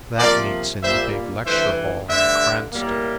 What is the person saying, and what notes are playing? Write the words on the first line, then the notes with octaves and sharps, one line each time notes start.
That meets in the big lecture hall in Cranston.
C3 F3 A#3 A#4 D5
A#2 G3 A#3 C5 E5
G2 E3 A3 C5 E5
G2 D3 A3 C5 E5
A2 G3 A#3